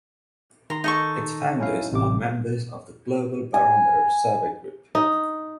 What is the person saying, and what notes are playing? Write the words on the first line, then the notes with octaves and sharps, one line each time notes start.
Its founders are members of the Global Barometer Survey group.
D#3 A#5 C6
D#4 A4 C#6
C#4 E4 F5
A1 C3 D6
G#5
D#4